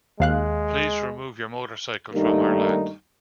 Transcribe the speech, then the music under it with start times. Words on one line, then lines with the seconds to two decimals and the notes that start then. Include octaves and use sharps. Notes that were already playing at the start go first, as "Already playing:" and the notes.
Please remove your motorcycle from our land.
0.20 D#2 G#3 F5 F#6
2.12 G2 D#3 G3 A3 A#3 D#4